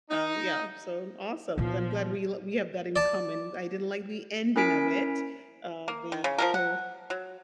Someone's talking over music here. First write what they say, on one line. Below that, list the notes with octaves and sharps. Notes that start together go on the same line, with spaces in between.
Uh, yeah, so m awesome, I'm glad we l we have that in common. I didn't like the ending of it, uh, they kill
D#4
A#2 F3 B3
D5 A5
C#4 E4 A#4 G#5 B6 D7
A#3
D#3
C#3
F3 G#3 A#4
F#5
F#3